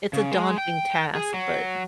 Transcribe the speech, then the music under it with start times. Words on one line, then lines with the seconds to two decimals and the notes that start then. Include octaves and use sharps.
it's a daunting task, but
0.13 C#3
0.32 G#3
0.58 G5
1.15 G#4
1.34 F#3